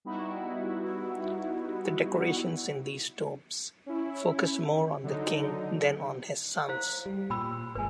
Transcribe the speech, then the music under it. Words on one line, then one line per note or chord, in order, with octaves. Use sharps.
The decorations in these tombs focus more on the King than on his sons.
G3 B3 D#4 E4 F#4
C#4 E4
D3 F#3 D#4
E4 C5 F5
G3
A#2 G5 B5 E6
G#1 A#2 G#3 B4 G#5